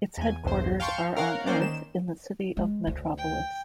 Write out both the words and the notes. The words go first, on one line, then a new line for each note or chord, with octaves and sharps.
Its headquarters are on Earth in the city of Metropolis.
E2 G#5
B1 E2 G2 C5
F5 G5 A5 C6 C#6 F6
A#4 C#5 F5 F#5
A#3 C#4 C5 D5
D#3 E7
G#3
D2
G5